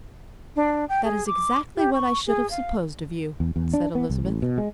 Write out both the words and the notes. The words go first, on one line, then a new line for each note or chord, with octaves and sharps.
"That is exactly what I should have supposed of you," said Elizabeth.
D4
G5
G#4
D6
G4
C#6
G#4
F5
E2
E2
D4
B3
C2
A1
B2
G#3